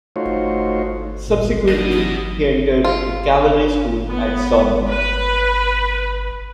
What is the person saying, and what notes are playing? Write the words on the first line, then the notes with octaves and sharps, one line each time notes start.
Subsequently, he entered the cavalry school at Saumur.
A3 D#4 F4 F#4 C5 C#5
C2 A#2
A#3 B3 D4 D#4 G4 D5 D#5
C3 E3 F#3
F4
B3
B4